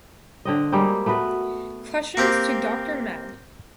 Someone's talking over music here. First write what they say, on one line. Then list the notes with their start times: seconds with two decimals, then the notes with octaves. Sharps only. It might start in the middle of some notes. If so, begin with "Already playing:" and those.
Questions to Doctor med.
0.45 D3 C4 D#5
0.72 G3 G#3 A#3 C4
1.06 A3 B3 F#4 B4
2.17 A#3 C4 G4